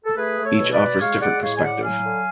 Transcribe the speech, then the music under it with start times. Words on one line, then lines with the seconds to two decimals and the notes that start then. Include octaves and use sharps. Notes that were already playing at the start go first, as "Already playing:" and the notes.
Each offers different perspective.
0.05 A4
0.17 A3 G#4 B4
0.38 A3
0.45 A4 C#5
0.59 B2
0.72 B4 D5
0.79 B2
1.00 G#3 C#5 F5
1.20 G#3 D5 F#5
1.41 A2 C#5 F5
1.57 G#5
1.62 A2 D5 F#5
1.83 F#3 F5 G#5
2.04 D3